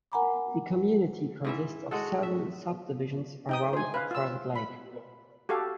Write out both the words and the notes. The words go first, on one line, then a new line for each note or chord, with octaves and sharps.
The community consists of several subdivisions around an private lake.
A#4 F#5 G#5 A#5 B5 D6
G#2 E3 E5
G#3 F#4 A4
E5
D#4 G5 D#6
C5 G#5
B4 F5
F4 E6
B5
F#4 G4 A4 F5